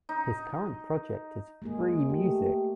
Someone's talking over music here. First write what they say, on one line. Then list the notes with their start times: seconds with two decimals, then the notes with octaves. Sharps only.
His current project is Free Music!
0.09 D#4
1.62 G#3 A#3 G#4
2.10 A3 G4